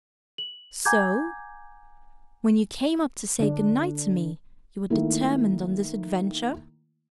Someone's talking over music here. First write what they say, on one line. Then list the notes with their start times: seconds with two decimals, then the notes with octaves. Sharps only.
So--when you came up to say good-night to me--you had determined on this adventure?
0.38 F#7
0.85 F#5 G#5 A#5 D6 G6 G#6
3.40 D3 D4
4.90 D#3 A3 A#3 E4